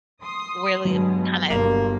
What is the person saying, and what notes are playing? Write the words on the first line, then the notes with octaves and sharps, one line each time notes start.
Really kinda
C6 D#6
G2 B2 F#3 G#3
G1 B2 D3 A#3